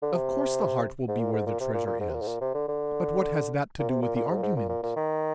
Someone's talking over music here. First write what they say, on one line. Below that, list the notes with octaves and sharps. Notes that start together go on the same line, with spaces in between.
"Of course the heart will be where the treasure is; but what has that to do with the argument?"
D3
C3
G#2
A#2
G#2
A#2
C3
A#2
A#2
G#2
C3
A#2
G#2
A#2
C3
D3
D3
A#2
C3
A#2
A#2
G#2
A#2
G#2
A#2
A#2
A#2
D#3